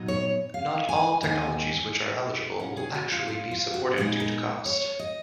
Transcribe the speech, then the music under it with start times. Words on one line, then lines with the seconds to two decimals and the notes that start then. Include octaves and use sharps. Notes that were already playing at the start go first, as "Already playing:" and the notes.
Not all technologies which are eligible will actually be supported due to cost.
Already playing: A#2 F#3 B3 D#4
0.08 C#5
0.54 F5
0.89 G#5
1.23 D#2 D#3 A#3 D#4 G#5
2.59 B2 A#3 C#4 F#5
2.77 G#4
2.95 F#4
3.12 F4
3.28 F4
3.51 F4
3.74 F#4
3.97 A#2 G#3 B3 D#4 G#4
4.20 A#4
4.66 C#5
4.99 D#5